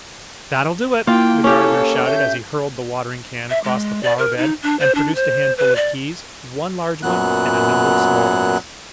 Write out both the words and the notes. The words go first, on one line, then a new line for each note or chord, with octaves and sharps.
"That'll do it!" the Gardener shouted, as he hurled the watering-can across the flower-bed, and produced a handful of keys--one large one, and a number of small ones.
A#3 E4 F4 G5
C#4 G4 A4 C#5
E5 G6
E5
G#3
D5
A#4
D#4
D4
C5
D4
C5
B4
D5
F#2 A#2 F#3 B3 F#6